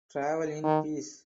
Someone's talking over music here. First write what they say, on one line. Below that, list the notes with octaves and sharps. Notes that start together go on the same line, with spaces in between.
Travel in peace.
D#3